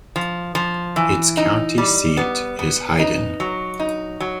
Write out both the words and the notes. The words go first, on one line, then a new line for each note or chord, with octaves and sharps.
Its county seat is Hyden.
F3
F3
E3
D#4
G3
B3
B3
D#4
F#3
D#4
F#3